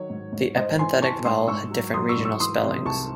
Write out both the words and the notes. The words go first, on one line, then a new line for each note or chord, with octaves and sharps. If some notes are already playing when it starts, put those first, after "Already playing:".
The epenthetic vowel had different regional spellings.
Already playing: D#3 F#3 C#5
G#2
G#2
G#2 C5 D#5
E3 G#5 C6
E3 A5 C#6
G#2 C6 D#6
G#2 C#6 E6
F#3
F#3 C6 D#6
C#6 E6
G#2
C#6 E6
E3 C6 D#6
C3
C2 A5 C#6